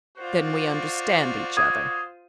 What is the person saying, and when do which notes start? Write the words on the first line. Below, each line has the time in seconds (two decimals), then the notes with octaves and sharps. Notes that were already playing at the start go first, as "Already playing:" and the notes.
"Then we understand each other."
0.18 F4 F#4 C5 D5
1.57 D#6 G#6